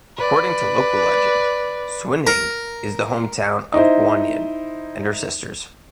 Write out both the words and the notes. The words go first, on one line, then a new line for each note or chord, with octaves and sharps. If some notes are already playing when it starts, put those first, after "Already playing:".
According to local legend, Suining is the Hometown of Guanyin and her sisters.
B4 D5
A#4
D#4 E4 C5